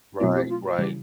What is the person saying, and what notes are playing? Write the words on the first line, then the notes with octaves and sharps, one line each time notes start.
Right, right.
B2 F#3 A3 C4 E4 F#4
G4
F4
F#4
C#3 E3 G3 G4